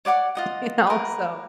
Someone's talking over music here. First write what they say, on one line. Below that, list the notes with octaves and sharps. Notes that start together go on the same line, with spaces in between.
You know? So,
C#5 D5 F#5 D6
F4 D#5 F#5
A#4 B4